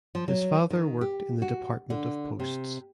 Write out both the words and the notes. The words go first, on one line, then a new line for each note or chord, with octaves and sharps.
His father worked in the Department of Posts.
F3
F#3
D#3
G4
F#4
D3
C3